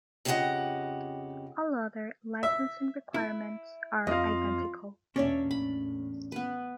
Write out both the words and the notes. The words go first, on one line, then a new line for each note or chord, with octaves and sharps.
All other licensing requirements are identical.
F2 C#3 D#4 G4 D#5 F#5
E5
E4
F2 F4 D#5 F5
E2 B2 A#3 C#4 D4 C#5 D5 E5
E2 A2 B5
B3 B4